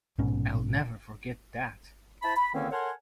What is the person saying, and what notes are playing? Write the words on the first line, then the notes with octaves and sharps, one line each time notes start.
I'll never forget that.
A#1 G#2 B2 C#4
E4 C5 A5 B5
B5
E2 D3 D#3 A#3 C4 C#4
A4 A#4 C#5 F#5 G#5 C6